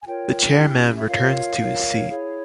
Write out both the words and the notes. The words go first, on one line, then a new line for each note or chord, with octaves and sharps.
The Chairman returns to his seat.
G#5
F4 A#4 C#5 G5
C#4 E4 G4
E5
F4 A#4 C#5 F5
F4 A#4 C#5
E4 G#4 C#5